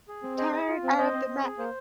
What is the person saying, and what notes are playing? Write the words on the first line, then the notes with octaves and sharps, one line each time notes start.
Return of the Mac.
G#4
C4
G#4 C5 D#5
G#4
F4
C4 F5
C4 C5 D#5
C4
C4
G#4
A#3 C5